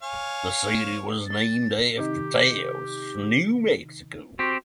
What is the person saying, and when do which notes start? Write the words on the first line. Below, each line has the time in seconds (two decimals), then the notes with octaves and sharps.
The city was named after Taos, New Mexico.
0.03 C#5 F5 G#5
1.27 A6
1.97 C3 D#3 D#4 G4
4.39 C4 F#4 G4